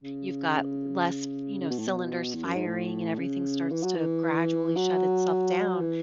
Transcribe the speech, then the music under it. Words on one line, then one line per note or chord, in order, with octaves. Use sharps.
you've got less f you know, cylinders firing and everything starts to gradually shut itself down,
C#3
C#3
B2
A2
B2
E2
F#2
G#2
A2
C#3
E3
F#3
E3
F#3
E3